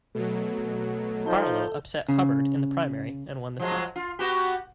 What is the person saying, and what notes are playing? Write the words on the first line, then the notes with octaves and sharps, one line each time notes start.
Barlow upset Hubbard in the primary and won the seat.
B2 F#3 A3
F3 D#4 A4 G6
C#3
F3 F#3 G#3
F4
B3 F#4 G4